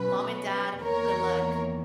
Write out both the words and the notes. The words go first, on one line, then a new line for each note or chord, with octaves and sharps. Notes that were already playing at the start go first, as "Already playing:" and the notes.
"Mom and dad, good luck,"
Already playing: B2 F#3 C#4 B4
E2 D#3 A#3 A#4 C#5